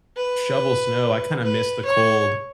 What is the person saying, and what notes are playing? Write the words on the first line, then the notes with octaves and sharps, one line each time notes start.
shovel snow, I kinda miss the cold.
B4
B4
C#5